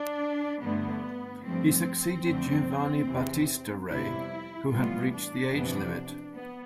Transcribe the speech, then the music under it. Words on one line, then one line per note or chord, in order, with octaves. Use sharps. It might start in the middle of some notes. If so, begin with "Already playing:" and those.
He succeeded Giovanni Battista Re, who had reached the age limit.
Already playing: D4
G2 D3 A3 B3
G2 F3 A3 C4
F2 D3 A3
E2 C3 E3
F2 C3 G3 B3 E4
A2 E3 G3 B3 F4
D4
F2 C3 E3 B3
B3